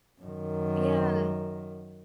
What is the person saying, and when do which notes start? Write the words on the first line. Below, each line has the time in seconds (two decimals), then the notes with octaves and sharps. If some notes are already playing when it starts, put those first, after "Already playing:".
Oh, yeah.
0.22 F#2 D#3